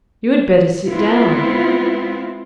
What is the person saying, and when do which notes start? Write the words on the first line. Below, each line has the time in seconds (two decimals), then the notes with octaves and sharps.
"You had better sit down."
0.89 G#3 B3 C4 E4 F4